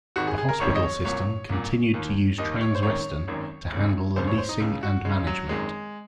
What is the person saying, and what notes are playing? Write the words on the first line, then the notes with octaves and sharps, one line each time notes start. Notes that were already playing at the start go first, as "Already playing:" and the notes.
The hospital system continued to use Transwestern to handle the leasing and management.
G#1 G#2 D#3 F#4
G#4
G#4
A#4
G#1 G#2 D#3 C#5
D#5
C#5
C2 A#2 C#5
C2 A#2
D#2 D#3
D#2 D#3 D#5
C#5
C5
G#1 F#2 D#3 C#5
G#1 F#2 D#3
F1 D#2 C#3
F1 D#2 C#3 C5
C#5
C5
D#4
C#2 C#3
F#4
C#2 C#3 G#3
F#3
G#1 F#2 D#3 G#3